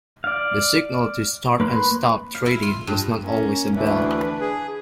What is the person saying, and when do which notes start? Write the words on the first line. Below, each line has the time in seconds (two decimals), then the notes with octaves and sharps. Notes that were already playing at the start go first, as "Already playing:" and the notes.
The signal to start and stop trading was not always a bell.
0.24 D5 F5
1.60 A#3 B4 B5 C6
2.35 F5
2.46 E4
2.63 F4
2.87 G2
3.22 A#3 C#4
3.75 D2 E3 D4 B4
4.41 G#4